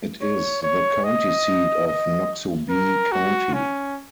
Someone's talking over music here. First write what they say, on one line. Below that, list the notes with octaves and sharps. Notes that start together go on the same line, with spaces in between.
It is the county seat of Noxubee County.
C#5
C#5
D#5
D#5
A#4
F#4
C#4